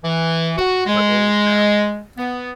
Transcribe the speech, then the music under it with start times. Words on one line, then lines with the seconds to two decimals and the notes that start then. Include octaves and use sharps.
But old now.
0.04 E3
0.58 F#4
0.86 G#3
2.18 B3